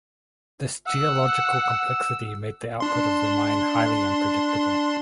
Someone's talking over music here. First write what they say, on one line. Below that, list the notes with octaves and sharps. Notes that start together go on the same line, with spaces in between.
This geological complexity made the output of the mine highly unpredictable.
F#5 E6
D4 C6